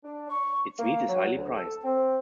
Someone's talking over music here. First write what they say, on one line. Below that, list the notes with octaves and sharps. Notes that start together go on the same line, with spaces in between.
Its meat is highly prized.
D4
C#6
A#3
F#3
D2
A4
C4